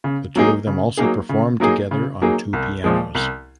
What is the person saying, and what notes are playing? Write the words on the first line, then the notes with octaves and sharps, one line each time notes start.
The two of them also performed together on two pianos.
C#3
F#3 A#3 D#4 G#4
C#3
F#3 A#3 D#4 G#4
C#3
F#3 A#3 D#4 G#4
C#3
F#3 A#3 D#4 G#4
C2
A#2 F3 G#3
C2